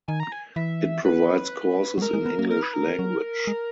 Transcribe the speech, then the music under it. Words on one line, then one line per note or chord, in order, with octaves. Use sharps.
It provides courses in English language.
D#3 G#5
A#5
G#5
E3 E5
B4
F#3
G#3 A#4
G#3
B3
A#3
A#4
B4
A#4
F#3
G#3